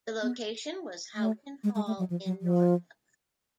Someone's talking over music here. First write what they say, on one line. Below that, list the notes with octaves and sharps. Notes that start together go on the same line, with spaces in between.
The location was Houghton Hall in Norfolk.
B3
A3
G#3
G#3
A3
F#3
F3
F#3
F3